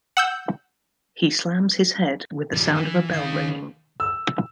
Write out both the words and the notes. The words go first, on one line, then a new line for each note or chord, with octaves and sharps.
He slams his head, with the sound of a bell ringing.
F#5 E6 G6
E3 G3
E3
D#3 F5
E6